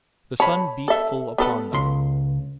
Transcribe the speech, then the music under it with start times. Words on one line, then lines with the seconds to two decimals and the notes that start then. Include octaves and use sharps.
The sun beat full upon them.
0.40 C#5 A5 B5
0.88 A4 E5
1.38 B3 A4 B4
1.73 C#2 C6